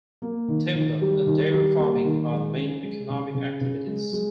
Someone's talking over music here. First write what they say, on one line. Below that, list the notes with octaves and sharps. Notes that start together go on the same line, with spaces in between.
Timber and dairy farming are the main economic activities.
A#3
D#3
D#3
G3
D#3
G3
A#3
D#3
G#3
C#4
G#3
C#3
C#3
C#3
G#3
G#3